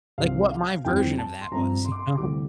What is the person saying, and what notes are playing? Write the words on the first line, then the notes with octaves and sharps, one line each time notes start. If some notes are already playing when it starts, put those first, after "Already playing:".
Like, what my version of that was, you know?
C2 C3 F3 F5
F5
F2 E3 G3 C4 G5
A5
C6
G2 F3 C4 A#5
C6
D6
C6
D2 C3 E3 G3 D6